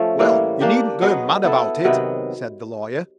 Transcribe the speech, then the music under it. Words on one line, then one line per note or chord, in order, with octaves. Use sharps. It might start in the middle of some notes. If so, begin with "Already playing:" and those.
"Well, you needn't get mad about it," said the Lawyer.
Already playing: F3 A3 C#4
A2 E3 G3 A#3
A#3 D4 G4
F#3 B3 D#4 G#4
B3 E4 A4
C3 D#3 F#3 B3